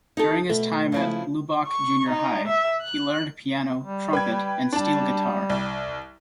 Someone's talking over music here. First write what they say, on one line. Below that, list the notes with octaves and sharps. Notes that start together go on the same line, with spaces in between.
During his time at Lubbock Junior High, he learned piano, trumpet and steel guitar.
D#4 G4 A4
B2 A3
C#3 F3 E4
C#6
D#4
E5
F#6
G3
B4 G5 G#6
G3 D4 A5
C2